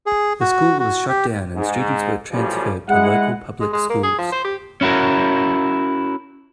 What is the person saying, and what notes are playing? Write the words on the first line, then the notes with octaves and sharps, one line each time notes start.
The school was shut down and students were transferred to local public schools.
G#4
F#4
F#4
G4
G#2
A1 F#2 C#3 F3 G3
G#3 E4 F#5
G#3
G#3
A#3
G#4
F3
C5
G4
C#4 E4 F#4 A#4